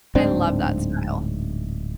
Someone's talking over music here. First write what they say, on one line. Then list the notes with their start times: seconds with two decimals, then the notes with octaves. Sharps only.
I love that style.
0.15 D1 G#2 C4 D4